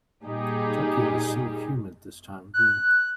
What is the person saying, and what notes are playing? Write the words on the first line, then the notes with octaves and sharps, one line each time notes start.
Tokyo is so humid this time of year.
A#2 G3 D#4 G4 G#4
F#6